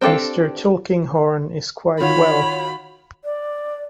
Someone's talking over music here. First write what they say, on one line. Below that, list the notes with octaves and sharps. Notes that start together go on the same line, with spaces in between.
Mr. Tulkinghorn is quite well.
C4 D4 G4 A4 F5
D#3 F4 F#4 C#5 B5
D5